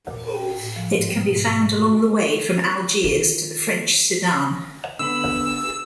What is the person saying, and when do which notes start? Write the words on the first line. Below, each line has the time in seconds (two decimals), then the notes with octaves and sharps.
It can be found along the way from Algiers to the French Sudan.
0.11 A#2
0.34 G5
0.57 A2
0.76 F3
0.93 G#2
1.09 G3
1.21 B2
1.36 G#2
1.78 F#4
3.04 D#3 F4
4.99 D3 B3 B5 E6